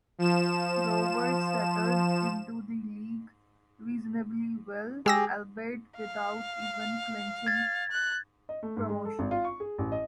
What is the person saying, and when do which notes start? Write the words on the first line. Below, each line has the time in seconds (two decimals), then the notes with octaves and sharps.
Rovers settled into the League reasonably well, albeit without ever clinching promotion.
0.19 F3 E7
5.06 G#3 G4 G#4 E6 A#6
5.96 F5
7.47 G#6 A6
7.91 F#6
8.49 D#5
8.63 A3
8.77 G#2
8.90 G#3
9.05 A4
9.19 G#1
9.31 F4
9.44 C#6
9.60 G#4
9.78 A1
9.92 D#5